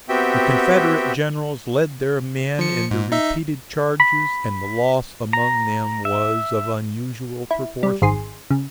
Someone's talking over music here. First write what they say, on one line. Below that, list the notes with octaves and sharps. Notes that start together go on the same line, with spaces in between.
The Confederate generals led their men in the repeated charges, and the loss among them was of unusual proportions.
B3 C4 F#4 G4 E5 G5
F3 C#7
G#2
D#4 E5
B5
A#5
E5
E4
G3
G#1 G#4 C6
C#3